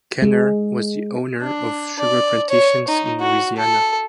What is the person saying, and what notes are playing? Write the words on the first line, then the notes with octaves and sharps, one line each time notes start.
Kenner was the owner of sugar plantations in Louisiana.
G#3
D4
D5
C#5
D#4
F#4
A4